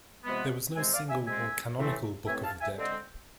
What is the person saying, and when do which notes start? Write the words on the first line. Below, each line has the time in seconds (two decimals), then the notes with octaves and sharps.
There was no single or canonical "Book of the Dead".
0.25 C3 F3 G#3 B3
0.75 C3 G#3 C4 E5 G#5
0.93 D5 F5
1.09 E5 G#5
1.26 C3 G#3 C4 E5 G#5
1.77 A2 E3 A3 C4
2.27 A2 E3 A3 C4 E5 G#5
2.44 F5 A5
2.61 E5 G#5
2.78 D3 G#3 C4